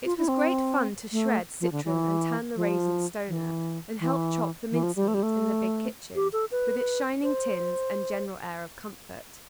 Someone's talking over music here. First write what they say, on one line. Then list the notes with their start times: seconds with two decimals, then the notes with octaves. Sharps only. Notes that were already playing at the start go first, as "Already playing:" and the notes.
It was great fun to shred citron and turn the raisin-stoner, and help chop the mince-meat, in the big kitchen, with its shining tins, and general air of comfort.
0.05 F4
0.18 E4
0.28 C4
1.12 A3
1.61 F3
1.72 D3
1.85 E3
2.56 F3
3.28 E3
4.00 E3
4.71 E3
4.83 F3
4.96 G3
5.08 A3
5.14 G3
5.23 A3
6.15 G4
6.33 A4
6.51 B4
7.23 C5